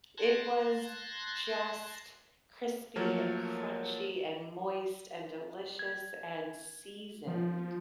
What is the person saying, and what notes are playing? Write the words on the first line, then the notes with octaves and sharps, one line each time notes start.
It was just crispy and crunchy and moist and delicious and seasoned.
A5 C6 F#6 G#6 A#6
F3 F#3 A3 A#3 A#4 C#5
G#6
F3